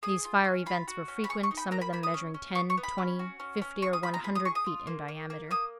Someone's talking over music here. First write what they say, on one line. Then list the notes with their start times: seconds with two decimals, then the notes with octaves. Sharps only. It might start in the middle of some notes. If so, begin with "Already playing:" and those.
These fiery vents were frequent, some of them measuring ten, twenty, fifty or one hundred feet in diameter.
0.03 G#4 D#6
0.25 F4
0.44 C#4
0.66 F4 B5
0.88 F#4
1.08 C#4
1.24 B5
1.29 G#4 C#6
1.43 C#6
1.51 D#4
1.57 B5
1.71 A#3 A#5
1.81 B5
1.93 A#3 B5
2.03 D#6
2.14 C#4
2.34 C#4
2.55 B3 C#6
2.70 C#6
2.77 B3
2.83 B5
2.98 C#4
3.19 F#4
3.40 C#4
3.62 C#4
3.82 G#4 C#6
3.93 D#6
4.03 F4 B5
4.14 A#5
4.24 G#4 B5
4.35 D#6
4.45 G#4 C#6
4.55 D#6
4.66 F4
4.87 A#3
5.08 A#3
5.30 A#3
5.51 A#3 D#6